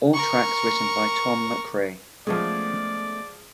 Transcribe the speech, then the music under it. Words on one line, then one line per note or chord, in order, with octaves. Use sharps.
All tracks written by Tom McRae.
A#4 C#6
F3 G#3 A3 B3 C#4 D5